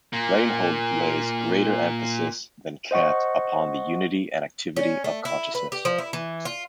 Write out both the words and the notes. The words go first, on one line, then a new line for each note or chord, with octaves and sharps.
Reinhold lays greater emphasis than Kant upon the unity and activity of consciousness.
A#2 A#3
C5 D#5 F#5 C#6
C#4
A3
E4
B4
G4
F3
E4
E3
F4